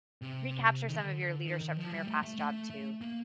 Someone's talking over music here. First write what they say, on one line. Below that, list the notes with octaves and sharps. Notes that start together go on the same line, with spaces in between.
recapture some of your leadership from your past job, too.
C3
D#3
D3
D#3
D#3
F3
G3
A3
A3
A3
A3
A#3